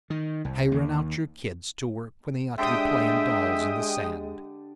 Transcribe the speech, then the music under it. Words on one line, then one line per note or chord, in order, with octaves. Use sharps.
Hirin' out your kids to work when they ought to be playin' dolls in the sand.
D#3
C2
D#2
D3 G#3 D4 G4 E5 G5 D#6